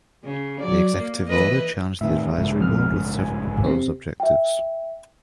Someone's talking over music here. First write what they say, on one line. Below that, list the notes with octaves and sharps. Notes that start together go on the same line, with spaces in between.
The Executive Order charged the advisory board with several proposed objectives.
C#3
F#3 D5
A#3
E3 B4 D#5
A2 D#3 E5
A#1 G#2 C#3
F2 F6
G#5
C3 C4
E5 G5